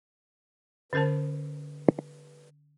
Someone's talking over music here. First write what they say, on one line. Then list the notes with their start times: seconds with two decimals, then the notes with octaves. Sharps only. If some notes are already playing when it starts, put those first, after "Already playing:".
Some people said this was because pigs were unclean.
0.93 D3 C#4 A#4 C5 A5